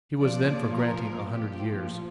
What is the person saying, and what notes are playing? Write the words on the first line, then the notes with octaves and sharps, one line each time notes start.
He was then for granting a hundred years.
A#2 F3 D5
A#4
A#2 F3 G4